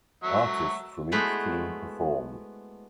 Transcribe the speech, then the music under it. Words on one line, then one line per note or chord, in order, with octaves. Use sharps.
Artists from each team performed.
F#3 E5 C#6
G#3 A3 B3 E4 F#4 C5